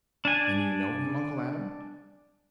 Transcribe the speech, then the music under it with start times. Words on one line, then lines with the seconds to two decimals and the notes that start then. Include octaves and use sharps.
Then you know him, Uncle Adam?
0.25 D4 G#5